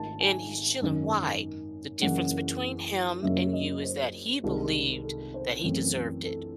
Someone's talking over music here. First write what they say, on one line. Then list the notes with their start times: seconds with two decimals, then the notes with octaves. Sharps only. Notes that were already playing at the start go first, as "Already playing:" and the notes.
and he's chilling." Why? The difference between him and you is that he believed that he deserved it.
Already playing: G#1 G#2 D#3 A3 A5
0.20 G#5
0.81 G#1 F#2 D#3
2.02 F#1 F#2 C#3 E3 F#5
3.22 F#1 F#2 C#3 F#3 E5
3.53 D#5
3.83 C5
4.43 C2 C3 D#3 G#3
5.04 A4
5.34 C5
5.64 F#2 E3 A3 C4
6.25 A4